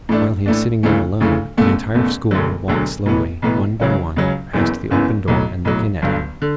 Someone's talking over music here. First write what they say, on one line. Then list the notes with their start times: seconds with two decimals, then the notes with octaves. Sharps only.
While he is sitting there alone, the entire school will walk slowly, one by one, past the open door and look in at him.
0.09 A2 E3 A3 D4
0.46 A2 E3 A3 D4
0.83 D2 C#3 E3 A3
1.20 D2 C#3 E3 A3
1.57 F#1 E2 B2 A3
1.94 F#1 E2 B2 A3
2.31 E1 D2 D3 F#3
2.68 E1 D2 D3 F#3
3.06 B1 A2 E3 B3
3.42 B1 A2 E3 B3
3.80 C#2 C#3 F#3 C#4
4.16 C#2 C#3 F#3 C#4
4.53 F#1 F#2 E3 B3
4.90 F#1 F#2 E3 B3
5.28 B1 A2 F#3
5.65 B1 A2 F#3
6.02 G1 G2 D3 F#3
6.42 D3